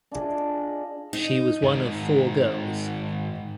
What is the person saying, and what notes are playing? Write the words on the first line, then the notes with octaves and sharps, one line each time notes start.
She was one of four girls.
D4 F4 G#4 D#5
D#4
G#2 D#3